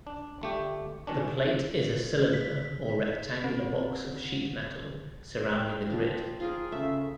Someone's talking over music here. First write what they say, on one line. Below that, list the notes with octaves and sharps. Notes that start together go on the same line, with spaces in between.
The plate is a cylinder or rectangular box of sheet metal surrounding the grid.
D4
G1 A3 G4
B2 D#3 C#4 D4
B6
C4
G5
F3
F4 G#4 A#4
C#3 A3 E5